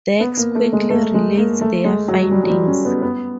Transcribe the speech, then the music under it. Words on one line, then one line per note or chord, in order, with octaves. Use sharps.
Dax quickly relates their findings.
B3
A#3
A3
G#3
A3
G#3
A#3
A3
G#3
F#3
G3
F#3
G3
C#4
B3
B3